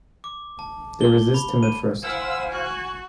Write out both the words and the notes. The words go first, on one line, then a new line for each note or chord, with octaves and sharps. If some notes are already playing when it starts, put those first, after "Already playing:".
They resist him at first.
D6
A5
G7
B5
D#7
E4 C5 F5 F#5 G#5 E6
F#4 F#6